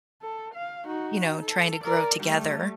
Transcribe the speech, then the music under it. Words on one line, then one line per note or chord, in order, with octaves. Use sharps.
you know, trying to grow together,
A4
F5
D#4 F#4
A4
A#4 D5
G3 A3